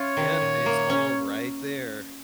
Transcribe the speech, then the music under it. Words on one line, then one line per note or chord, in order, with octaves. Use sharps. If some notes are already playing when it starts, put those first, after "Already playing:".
Yep. It's all right there.
Already playing: C#4 F4 C#5
D#3
A#2
A#3
C#4